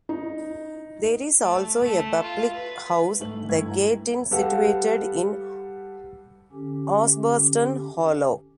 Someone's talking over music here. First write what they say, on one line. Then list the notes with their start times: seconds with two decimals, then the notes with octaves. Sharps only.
There is also a public house, The Gate Inn, situated in Osbaston Hollow.
0.09 D#4
1.41 A3
1.82 A3
2.22 F4
2.53 B4
3.19 G#2 G3 A3 F#7
3.49 G2 E3 A3 G#6
3.69 A#5
4.31 G3 G4 A4 B4 F5 F#5
6.52 D3 C#4 G4